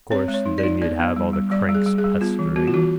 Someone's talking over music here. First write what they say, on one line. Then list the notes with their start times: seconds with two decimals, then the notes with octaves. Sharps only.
Course then you'd have all the cranks pestering.
0.11 C4 C#5
0.28 G#3
0.34 C#5
0.46 D#4
0.58 D5
0.63 D#4
0.82 B3 D5
0.99 B3
1.16 G3
1.33 G3
1.51 G3 D5
1.69 G3
1.75 G#4
1.86 G3
1.98 G#4
2.04 G3
2.21 B3 F4
2.39 E3
2.56 B3 F#4
2.68 F4
2.74 E3 F#4